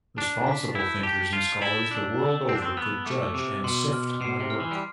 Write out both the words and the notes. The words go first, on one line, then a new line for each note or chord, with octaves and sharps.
Responsible thinkers and scholars the world over could judge and sift my work.
D4 A5
B6
E4 G6
G4 A5
F4 G7
E4 A6
D4 E6
E6
C4 D7
D4
C4
B3 F6
A3 D6
C3 D6
B2 C6
F6
B2 C7
C3
F6
E3
G3